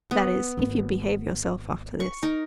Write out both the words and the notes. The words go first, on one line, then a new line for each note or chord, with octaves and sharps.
"That is, if you behave yourselves after this."
B3
G#1 A#3
C#6
D#4 A#4